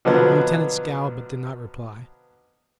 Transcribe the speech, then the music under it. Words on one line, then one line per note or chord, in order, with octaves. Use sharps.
The Lieutenant scowled, but did not reply.
B2 D3 F3 F#3 B3